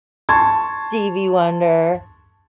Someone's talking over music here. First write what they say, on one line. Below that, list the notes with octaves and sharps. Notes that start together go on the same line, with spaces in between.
Stevie Wonder.
A5 C6 C#6 G#6